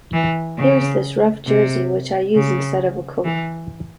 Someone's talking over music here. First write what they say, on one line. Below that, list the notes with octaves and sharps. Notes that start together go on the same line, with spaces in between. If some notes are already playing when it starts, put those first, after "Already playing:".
Here's this rough jersey which I use instead of a coat.
E3
C#3
C3
C#3
E3